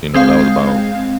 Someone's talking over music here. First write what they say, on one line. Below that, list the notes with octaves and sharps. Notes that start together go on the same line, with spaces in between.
you know, that was about
G#3 C4 F5